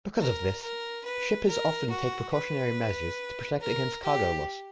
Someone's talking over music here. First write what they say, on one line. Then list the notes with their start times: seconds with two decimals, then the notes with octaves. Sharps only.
Because of this, shippers often take precautionary measures to protect against cargo loss.
0.20 A#4
0.62 A#4
1.05 B4
1.47 A#4
1.90 F#4
2.33 B4
3.61 A#4
4.03 G4